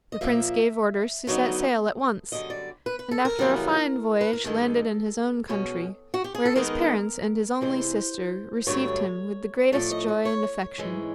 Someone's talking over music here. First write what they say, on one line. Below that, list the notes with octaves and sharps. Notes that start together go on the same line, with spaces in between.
The prince gave orders to set sail at once, and after a fine voyage landed in his own country, where his parents and his only sister received him with the greatest joy and affection.
D#5
A#2 F3 A#3 E5
D3 F#3 B3 D#4
F#2 D3 G3 D#5
D5
B4
B4
A4
A#4
F#2 C#3 E3 G3 B3
B4
A#4
G2 D#3 G#3 A4
B2 G#3 C#4
F#4
G4
G#4
A4
D#3 G#3 B3 D#4 A#4
E2 C3 E3 G#3 C5
G2 D3 F#3 A3 D4 C#5
A2 F3 A3 D5
D#5
D#5
C#5
G#2 E3 G#3 C#4